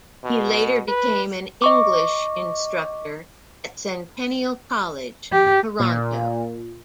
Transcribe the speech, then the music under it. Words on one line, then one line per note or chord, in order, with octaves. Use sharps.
He later became an English instructor at Centennial College, Toronto.
B2
B4
D#5 C#6 D6
G4
A#2